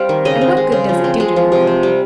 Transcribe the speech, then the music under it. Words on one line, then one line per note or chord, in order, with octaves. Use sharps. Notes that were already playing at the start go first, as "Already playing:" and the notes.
"And what good does it do to know him?"
Already playing: G3 C4 F5
D#3
C#3 D#5
C4
G#3
C#3
F3
C4
G#3
F3
C3
C4
G3